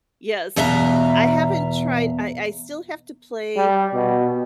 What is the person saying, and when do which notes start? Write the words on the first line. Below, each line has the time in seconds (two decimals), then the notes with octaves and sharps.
Yes. I haven't tried I I still have to play,
0.56 E2 B2 E5 F5 A#5
3.56 G3
3.94 B2